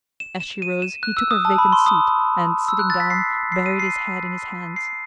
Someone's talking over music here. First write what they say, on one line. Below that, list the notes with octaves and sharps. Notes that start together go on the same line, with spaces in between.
As she rose he took her vacant seat, and, sitting down, buried his head in his hands.
E7
E7
D#7
E7
F#6
E6
D#6
A5
B5
C6
D#6
E6
F#6
A6
B6
C7
C7
D#7
C7
C7